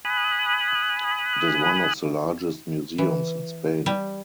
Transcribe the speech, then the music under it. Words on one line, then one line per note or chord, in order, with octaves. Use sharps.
It is one of the largest museums in Spain.
G#5 B5 D#6 F#6
E3
G3